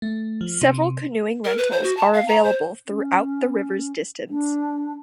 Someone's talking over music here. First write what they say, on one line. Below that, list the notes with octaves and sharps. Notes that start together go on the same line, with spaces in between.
Several canoeing rentals are available throughout the river's distance.
A3
F3
C3
A#4
B4
C5
F#4
A5
F5
A#5
C5
C#4
D4